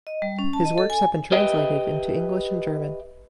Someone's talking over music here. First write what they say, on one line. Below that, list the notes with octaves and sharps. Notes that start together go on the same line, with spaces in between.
His works have been translated into English and German.
D#5
G3
C#4
A5
D#5
A4
G#5
G4 B4 D#5 E5 G5